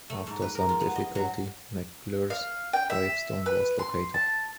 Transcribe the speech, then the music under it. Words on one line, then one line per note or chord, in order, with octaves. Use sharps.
After some difficulty, McClure's gravestone was located.
A3
G#2
B4
A#4
F4
B3
D#5
F#3
F5
G5
E5
B4
C6
A5